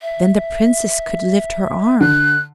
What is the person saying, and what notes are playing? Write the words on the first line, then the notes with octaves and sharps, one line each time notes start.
Then the Princess could lift her arm.
E5
D3 F#6